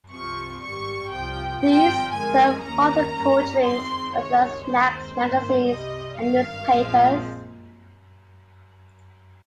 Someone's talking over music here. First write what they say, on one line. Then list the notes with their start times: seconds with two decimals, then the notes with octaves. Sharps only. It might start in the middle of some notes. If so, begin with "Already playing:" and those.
These serve hot and cold drinks as well as snacks, magazines and newspapers.
0.11 C2 C3 F3 C4 C#6
0.61 G#1 G2 G3 C#6
1.12 C2 C3 F3 G5
1.62 G#1 G2 F3 C4 G5
2.13 G1 F2 D#3 G#3 G#5
2.63 D#2 D#3 A#3 C#4 A#5
3.14 G2 G3 A#3 C#4
3.64 F2 D#3 G#3 C4 C6
4.15 C#2 C3 D#3 G#3 C#5
4.66 D#2 D#3 G#3 C4 C5
5.16 G#2 D#3 A#3 C5
5.67 C2 C3 G3 D#5
6.17 G#1 G2 D#3 F5
6.68 A#1 A#2 F3 G#3 C4